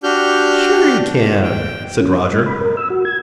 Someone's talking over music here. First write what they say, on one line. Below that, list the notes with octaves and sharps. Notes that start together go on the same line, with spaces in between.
"Sure you can," said Roger.
D4 F#4 G4 F6 G6
G5
C#4
D#5
G#3
B5
A#4
E6
F#4
G#6